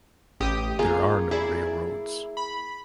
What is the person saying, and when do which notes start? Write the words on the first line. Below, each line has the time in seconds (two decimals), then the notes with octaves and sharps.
There are no railroads.
0.40 A1 G4 D#6
0.79 A#3 F4 G#4
1.31 E4 G#4 D5
2.37 B5